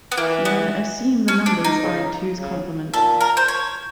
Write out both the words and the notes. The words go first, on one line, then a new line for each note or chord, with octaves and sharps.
Then, assume the numbers are in two's complement.
B3
E3 A#3
B3
C#4
D4
D#4
C#3
C#3
A#2 A4
A#4
C5
C#5